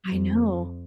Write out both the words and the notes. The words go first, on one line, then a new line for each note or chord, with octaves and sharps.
I know.
F2